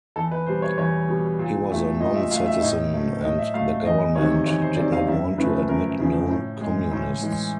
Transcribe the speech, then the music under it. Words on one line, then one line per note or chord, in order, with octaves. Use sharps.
He was a non-citizen and the government did not want to admit known communists.
E2 A4
B4
B2 G3 C5
C#5
E2 C#5
B2 G3
A#2
F#3 A3
A#2 D#5
E5
F#3 A3 F5
E5
A2 D#5
F#3 A3
A2 D#5
E5
F#3 A3 F5
E2 D#5
C3 D#3 F#3 C#5
E2 C#5
C5
C3 D#3 F#3 D5
F5
F#2 E5
C#3 F3 A3 B4
F#2 A#4
C#3 F3 A3
A2
E3 G#3
A2
E3 G#3